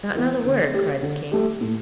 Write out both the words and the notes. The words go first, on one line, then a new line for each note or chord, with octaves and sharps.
"Not another word!" cried the king.
E3 B3
D3
A3 G4
D3
A3 G4
A2